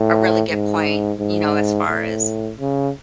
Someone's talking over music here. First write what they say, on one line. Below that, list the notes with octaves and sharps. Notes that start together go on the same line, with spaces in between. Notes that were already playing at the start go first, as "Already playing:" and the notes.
a really good point, you know, as far as
Already playing: A2
G#2
G#2
A2
C#3